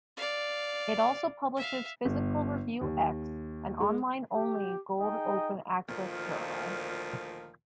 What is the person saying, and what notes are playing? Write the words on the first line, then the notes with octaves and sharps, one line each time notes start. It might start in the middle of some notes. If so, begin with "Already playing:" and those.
It also publishes "Physical Review X", an online-only gold open access journal.
D5 F5
E5 F5
G1
D#2
G#3
G4
D#4 G#4 D#5 G5
D2 A#2 D#3 F3